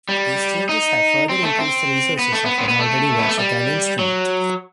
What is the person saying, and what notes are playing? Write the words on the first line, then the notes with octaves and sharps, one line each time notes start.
These changes have further increased the resources of an already versatile instrument.
G3
D#4
C4
A3
C4
B3
A3
B3
C4
B3
A3
B3
A3
G3
F#3